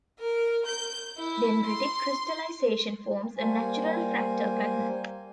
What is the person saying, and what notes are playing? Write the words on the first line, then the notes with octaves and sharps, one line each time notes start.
Dendritic crystallization forms a natural fractal pattern.
A#4
G6
E4
C6
G3 A#3 C5 G#5